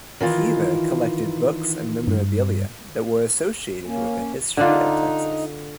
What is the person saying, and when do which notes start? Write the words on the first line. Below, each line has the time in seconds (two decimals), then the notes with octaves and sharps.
Keever collected books and memorabilia that were associated with the history of Texas.
0.20 D#3 E3 F4
2.08 G2
3.86 A#3 C#4
4.57 D3 D4 D#4 F4